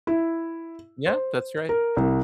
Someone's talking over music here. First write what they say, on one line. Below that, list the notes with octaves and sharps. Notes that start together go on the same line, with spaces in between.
Yeah, that's right.
E4
C5
A#4
C2